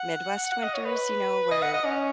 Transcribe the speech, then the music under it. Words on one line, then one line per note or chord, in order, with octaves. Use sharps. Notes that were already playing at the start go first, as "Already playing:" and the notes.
Midwest winters, you know, where
Already playing: F#5
F#5
D#5
C#5
B4
D#5
F#5
D#5
C#4